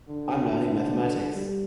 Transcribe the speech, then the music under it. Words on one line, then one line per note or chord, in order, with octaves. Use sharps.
I’m learning mathematics.
D3
G3